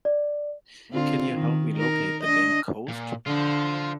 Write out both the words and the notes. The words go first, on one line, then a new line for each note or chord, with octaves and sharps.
Can you help me locate the game, Coast?
D5
D3 C4 F4
D#3
D#4 A#4
D4 D#5
A#2
D3 F4 C5